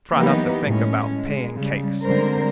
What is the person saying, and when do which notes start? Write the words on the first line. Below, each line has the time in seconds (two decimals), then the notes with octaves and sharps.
Try not to think about pancakes.'
0.14 E3 F#3 A#3 B3 D#4 G4
0.65 A2 G#3 C#4
1.15 G#3
1.56 C#3 G3
2.04 D3 G3 G#3 C4 A#4 C5